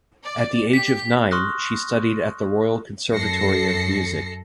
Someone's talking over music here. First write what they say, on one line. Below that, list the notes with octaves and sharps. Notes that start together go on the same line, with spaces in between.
At the age of nine, she studied at the Royal Conservatory of Music.
D5
G4 B6
C6 C#6 D#6 F6 F#6 A#6
F#2 A4 A#6 C7 C#7